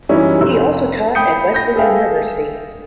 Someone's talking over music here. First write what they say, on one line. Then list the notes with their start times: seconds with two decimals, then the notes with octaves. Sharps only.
He also taught at Wesleyan University.
0.09 F#2 E3 G3 C#4 D#4 E4
0.41 F1 E6
1.15 G5 B5 D#6 G6 C#7
1.52 B5 G6 A#6
1.76 G#4 A4 B4 E5 F5 G5